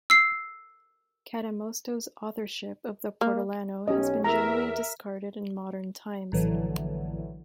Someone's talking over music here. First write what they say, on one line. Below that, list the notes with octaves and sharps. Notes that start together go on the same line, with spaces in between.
Cadamosto's authorship of the portolano has been generally discarded in modern times.
E6 C7
A#3
B1 C#4 G4 D#5
E2 A#4 E5 A#5
A#1 A2 D3 E3 F#3